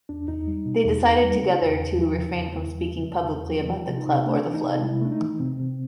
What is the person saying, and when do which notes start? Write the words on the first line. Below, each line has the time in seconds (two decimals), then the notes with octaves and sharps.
They decided together to refrain from speaking publicly about the club or the flood.
0.09 E2 D4
0.28 E2 D#4
0.48 G3
0.66 B2
0.86 E2
1.05 E2
1.23 G3
1.42 C#3
1.61 E2
1.80 E2
1.99 F3
2.18 C#3
2.37 E2
2.55 E2 E4
2.75 F3
2.94 C#3
3.13 E2
3.31 E2
3.51 F3
3.69 E3 F4
3.88 C3
3.98 D#4
4.08 C3
4.21 D#4
4.26 A3 D4
4.45 E3
4.54 D#4
4.63 C3
4.83 C3 E4
5.01 A3 D4
5.12 D#4
5.21 E3
5.40 C3 C4
5.59 C3